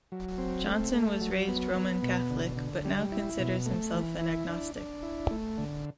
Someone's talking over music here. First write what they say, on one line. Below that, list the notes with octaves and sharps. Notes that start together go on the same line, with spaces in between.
Johnson was raised Roman Catholic but now considers himself an agnostic.
F#3
C4
A3
A3
F#3
B3
B3
B2
D3
D3
G3
E4
B2
A3
E3
E4
D4
D4
E4
A3
D3